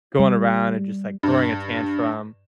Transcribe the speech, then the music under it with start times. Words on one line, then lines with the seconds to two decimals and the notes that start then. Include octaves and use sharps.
going around and just, like, throwing a tantrum,
0.19 G3
1.23 G2